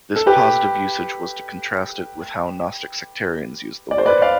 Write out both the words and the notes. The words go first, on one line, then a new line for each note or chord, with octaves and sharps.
This positive usage was to contrast it with how gnostic sectarians used the word.
A4
G4 B4
D5
C5
B4 D5
D5 F5